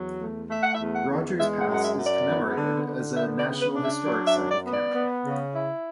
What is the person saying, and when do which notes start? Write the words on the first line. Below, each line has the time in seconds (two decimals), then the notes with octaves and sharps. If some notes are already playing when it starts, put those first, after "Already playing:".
Rogers Pass is commemorated as a National Historic Site of Canada.
Already playing: E2 F#3
0.20 A3
0.50 A3 E5
0.62 F#5
0.75 E5
0.80 E2
0.95 F#5
1.09 E2
1.39 G#3 E5
1.61 F#5
1.68 F#2
1.73 F#5
1.83 E5
1.98 F#2
2.06 D5
2.27 B3
2.58 D3
2.87 D3
3.16 B3 E5
3.39 D5
3.47 C#3
3.61 B4
3.75 D4
3.84 E5
4.05 F#3 D5
4.28 E5
4.35 F#2
4.51 D5
4.64 B3
4.72 D5
4.94 B3
5.24 C#3
5.53 E4